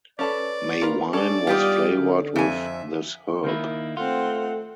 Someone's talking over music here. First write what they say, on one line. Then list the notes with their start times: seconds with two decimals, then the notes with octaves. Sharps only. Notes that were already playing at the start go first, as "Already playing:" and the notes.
May wine was flavored with this herb.
0.19 C#4 A4 B4 D5
0.82 F4 A#4 B4
1.13 C#4 D4 A4 D5
1.47 G3 B3 D#4 F4 G4 D#5
2.00 D3
2.36 F2 E5 G#5
3.44 D#3 A#3 E4
3.97 A3 C4 F4 F#5